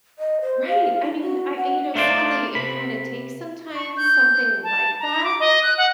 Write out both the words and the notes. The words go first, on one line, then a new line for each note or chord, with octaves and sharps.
Right! I mean, I you know, sadly it kinda takes, sometimes, something like that,
D#5
C5
F5
E4
F#4
F#5
A3 D4 F4 C5 D5
C3 B5
C#6
G6
A5
A#5
D6
D#5
F#6
F#5